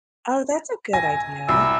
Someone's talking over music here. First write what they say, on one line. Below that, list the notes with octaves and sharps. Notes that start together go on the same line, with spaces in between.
Oh, that's a good idea.
G#5 A#6
C2 B5 E6